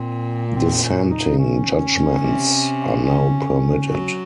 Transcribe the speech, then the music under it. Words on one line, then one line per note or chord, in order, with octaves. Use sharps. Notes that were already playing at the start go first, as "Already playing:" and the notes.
Dissenting judgments are now permitted.
Already playing: A#2 C4
A#3
C4
C#4
D#4
C#4
C3
C#4
F#3